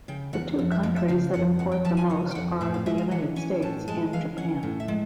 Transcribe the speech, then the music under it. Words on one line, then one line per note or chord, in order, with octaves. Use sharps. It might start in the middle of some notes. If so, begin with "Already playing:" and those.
The two countries that import the most are the United States and Japan.
C#3 G5
E2 F#5
F2
E5
F3 D#5
E5
C#3 F5
F2 F#5
F2 F#5
G5
F3 A5
G#5
C#3 F#5
G5
F2 F#5
A2 E5
F5
G#3 E5
F5
E3 F#5
C#4 G#5
A2 A5
G#3 A5
E3 F5
C#4 F#5
A2
E5
G#3